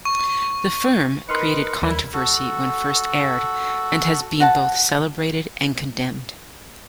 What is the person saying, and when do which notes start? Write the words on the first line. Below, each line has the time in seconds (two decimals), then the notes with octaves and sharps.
"The Firm" created controversy when first aired, and has been both celebrated and condemned.
0.05 C#6
1.29 D#4 A#4 B4 C6 F6 C#7
1.82 D#2 A#2 G3 E4
2.14 F#4 A4
4.40 F#4 F#5 A5